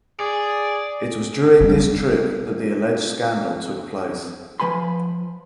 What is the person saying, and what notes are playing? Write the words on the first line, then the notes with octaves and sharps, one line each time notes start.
It was during this trip that the alleged scandal took place.
G#4 D5
G3 D#4
F3 B4 G#5 B5 C6